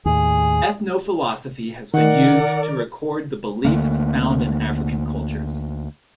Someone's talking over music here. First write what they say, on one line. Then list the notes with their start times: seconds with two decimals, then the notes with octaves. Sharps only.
Ethnophilosophy has been used to record the beliefs found in African cultures.
0.05 D#2 A2 G#4
1.94 D#3 A#4 D5 F#5
3.65 D2 D3 A3 A#3